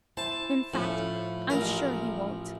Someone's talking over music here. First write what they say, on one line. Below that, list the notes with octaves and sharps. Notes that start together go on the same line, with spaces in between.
In fact, I'm sure he won't.
E4 C5 A5
A2 F3 C#4
A1 A#4